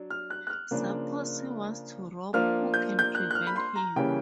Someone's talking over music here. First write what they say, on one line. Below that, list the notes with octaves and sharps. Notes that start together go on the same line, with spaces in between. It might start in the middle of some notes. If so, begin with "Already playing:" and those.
Suppose he wants to rob — who can prevent him?
Already playing: F#3 D4
F6
F#6
F#6
F6
C#3 F3 A#3 D4
F3 A#3 D4 F6
G6
G6
F#6
F#6
F6
B5
C6
A#5
C#3 E3 G3 A#3 C#4 G5